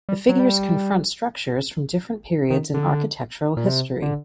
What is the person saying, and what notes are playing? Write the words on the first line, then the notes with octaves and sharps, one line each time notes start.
The figures confront structures from different periods in architectural history.
G3
F#3
G3
D#3
D3
A#2
C3
D3